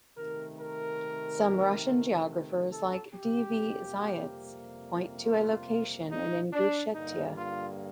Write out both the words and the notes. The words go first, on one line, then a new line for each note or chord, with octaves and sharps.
Some Russian geographers, like D. V. Zayats, point to a location in Ingushetia.
C3 D#3 A3 A#4
A#4
A4
G4
F2 C3 G3 A#3
F4
D#4
D4
G2 D3 G3 A#3 D#4
F4